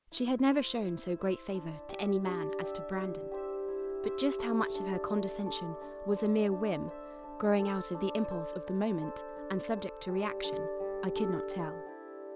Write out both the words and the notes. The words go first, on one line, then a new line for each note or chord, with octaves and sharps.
She had never shown so great favor to any man as to Brandon, but just how much of her condescension was a mere whim, growing out of the impulse of the moment, and subject to reaction, I could not tell.
E4
C5 E5
E4
C5 E5
D4
G4 E5
D4
G4 E5
E4
G4 C5 E5
E4
G4 C5 E5
A3
D4 A4
A3
D4 A4
D4
C5 E5
D4
C5 E5
D4
A4 C5
D4
A4 C5
D4
A4 C5
D4
A4 C5
G3
D4 A4 D5
G3
D4 A4 D5
C4
E4 G4